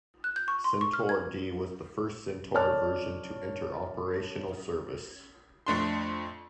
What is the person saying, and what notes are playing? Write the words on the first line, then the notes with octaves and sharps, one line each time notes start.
Centaur-D was the first Centaur version to enter operational service.
F#6
G6
C#6
C6
C#6
F6
G#6
C#5 D5 A5 F6
F2 A3 D4 C6